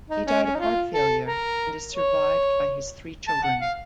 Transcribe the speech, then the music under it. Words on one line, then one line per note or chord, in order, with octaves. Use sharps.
He died of heart failure and is survived by his three children.
D#4
C#4
C#4
D#4
F4
A4
A#4
C#5
A5
F#5
F5